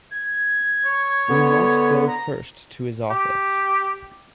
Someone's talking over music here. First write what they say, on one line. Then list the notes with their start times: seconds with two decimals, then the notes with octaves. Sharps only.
We must go first to his office.
0.11 G#6
0.85 C#5
1.29 D3 B3
2.07 A#5
3.10 G4